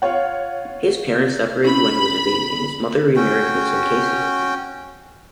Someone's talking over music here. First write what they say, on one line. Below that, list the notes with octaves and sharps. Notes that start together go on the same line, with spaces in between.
His parents separated when he was a baby and his mother remarried Vincent Casey.
F4 C#5 F#5
C#4 E4 B5
C#4 F#4 G5